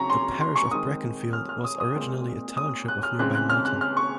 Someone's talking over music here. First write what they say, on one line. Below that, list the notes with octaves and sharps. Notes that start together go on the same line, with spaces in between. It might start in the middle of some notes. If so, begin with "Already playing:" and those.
The parish of Brackenfield was originally a township of nearby Morton.
Already playing: C#3 F#3 C4 A#5 C#6
C6
C6
C#6
D#3 G#3 C4 D#6
F6
F6
D#6
D#6
A#2 G#3 C4
D#6
F#6
F6
C#3 G#3 C4 F#6
F#6
F6
F#6
F6
C#6